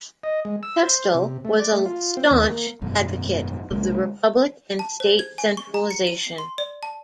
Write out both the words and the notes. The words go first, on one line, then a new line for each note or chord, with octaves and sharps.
Pestel was a staunch advocate of the republic and state centralization.
D#5
G#3
E6
C5
C3
A3
D5
A3
F4
C4
D#2
A#3
G#1 F#2 B2 A3
C2 C#3 G#3 A#3
A5
C5
G#6
G#5
C#6
A#5
C#7
D#7
C7
C6
D5
A5